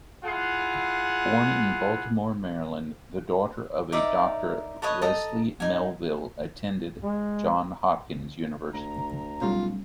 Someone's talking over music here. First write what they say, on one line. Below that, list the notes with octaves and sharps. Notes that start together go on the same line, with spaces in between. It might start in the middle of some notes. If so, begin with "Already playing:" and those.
Born in Baltimore, Maryland, the daughter of a Doctor, Leslie-Melville attended Johns Hopkins University.
E4 F4 G#4 F#5
D#4 A#4 D5 E5
A4 B4 C#5 D#5
A4 D#5 A#5
D#4 G#5
G#3
D2 A#5
B1 G3 A3 C#4 F4